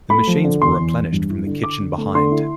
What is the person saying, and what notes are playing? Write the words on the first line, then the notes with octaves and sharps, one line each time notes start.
The machines were replenished from the kitchen behind.
A3 B5
F3
D3
E2 C6
E2
E2
G2
E4
D3
D3 D6
D3
A3
D3 C6
E4